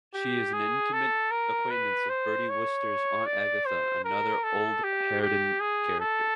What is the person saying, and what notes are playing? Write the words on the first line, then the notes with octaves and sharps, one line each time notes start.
She is an intimate acquaintance of Bertie Wooster's Aunt Agatha, another old harridan character.
G4
G#4
A4
A#4
B4
C5
C#5
D5
C5
A#4
A4
G4
G4
G#4
A4